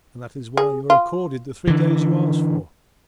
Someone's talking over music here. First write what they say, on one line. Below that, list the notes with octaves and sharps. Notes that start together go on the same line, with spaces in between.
And that is why you are accorded the three days you ask for.
G#4
F4
D3 E3